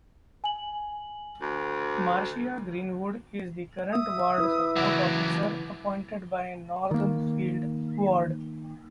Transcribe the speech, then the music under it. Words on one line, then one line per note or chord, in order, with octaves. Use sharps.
Marcia Greenwood is the current Ward Support Officer, appointed by Northfield Ward.
G#5 F#7
D2
E5 D#6
E4 B4
C#3 E3 F#3 C#5 F#5 D6
D#3 A#3